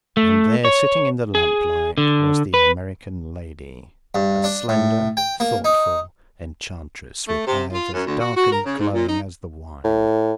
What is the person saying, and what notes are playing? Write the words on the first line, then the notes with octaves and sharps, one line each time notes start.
And there, sitting in the lamplight, was the American lady--a slender, thoughtful enchantress with eyes as dark and glowing as the wine.
A3
C#5
G#4
D3
B4
G2
D4
A2
G5
A#3
D#4
A3
C3
F4
F#2
D2
F#4
F#4
A#4
C#3
G#2
A#2
D#4
A2